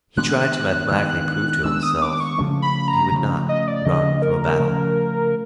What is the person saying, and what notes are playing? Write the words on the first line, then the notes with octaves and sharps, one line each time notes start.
He tried to mathematically prove to himself that he would not run from a battle.
D#3 G#3 B3 D4 F#6
D#3 G#3 B3 D4
D#3 G#3 B3 D4 E6
D#6
D6
C#6
C#3 F3 A3 C#4
B5
A#5
C#3 F3 A3 C#4
D#5
D5
C#3 F3 A3 C#4 D#5
A#4
C#3 F3 A3 C#4